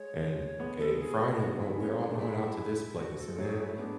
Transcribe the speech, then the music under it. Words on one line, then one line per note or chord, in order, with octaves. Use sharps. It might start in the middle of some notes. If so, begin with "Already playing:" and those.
and, "Okay, Friday. Oh, we're all going out to this place and then,
Already playing: G#3 C#5
G#3 B3
A4
G#4
F#4
G#3 B3 F#4
E4
C#4
D4
A3 D4
G#3 E4
E4
G#3 F#4
A4
G#3
F#3 A3 G#4
G#3 E4
A3
G#3 B3 D4